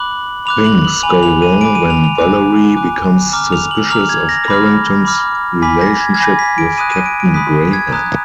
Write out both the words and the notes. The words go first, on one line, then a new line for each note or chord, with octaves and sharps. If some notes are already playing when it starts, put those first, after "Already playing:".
Things go wrong when Valerie becomes suspicious of Carrington's relationship with Captain Graham.
Already playing: B5 D6 F#6 F#7
B5 D6 F#6 F7
F#7
F#7
G#5 B5 D6 F7
F7
D#7
G#5 B5 D6 D7
D#7
F7
F7
G#5 D6 F#6
G#5 D6 F#6
A#5 D6 F6
F7
F#7
A#5 D6 F6 F7
G#6
A#6
B5 D6 F6
B5 D6 F6
G#5 B5 D6 B6
A#6
G#6
G#6
G#5 B5 D6 A#6
B6
D7
B5 D#6 F#6 D#7
D#7
D7
D7
B5 D#6 F#6 B6
G#6
A#5 D#6 F#6